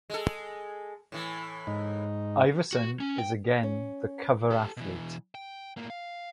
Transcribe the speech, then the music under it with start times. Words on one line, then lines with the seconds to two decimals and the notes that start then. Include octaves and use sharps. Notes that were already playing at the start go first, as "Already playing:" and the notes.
Iverson is again the cover athlete.
0.10 G#3 A4
1.12 A2 E3
1.67 G#2 D#4
2.73 F#4
3.00 C#4
3.18 G5
3.63 C#4
4.50 G4 A4
4.77 B2 E3
5.35 G5
5.77 A2 A#3
5.90 F5